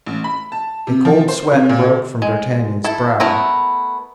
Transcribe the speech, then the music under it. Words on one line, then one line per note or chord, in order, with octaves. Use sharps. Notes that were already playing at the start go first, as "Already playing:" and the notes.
A cold sweat broke from d'Artagnan's brow.
A1
B5
A5
C3
F3
C5
C3
A#2
D3
G#3
E4 A4
A3 B3 E4 A#4 B4